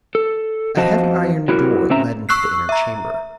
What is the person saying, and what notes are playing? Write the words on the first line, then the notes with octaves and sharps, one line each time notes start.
A heavy iron door led into the inner chamber.
A4
F2 F#4 C5 D#5 F5 A5
F#3 E4 F#4 A4 A#4
C#3 C4 C#4 E5 A#5
C#6 E6 F#6 C7
E5 A#5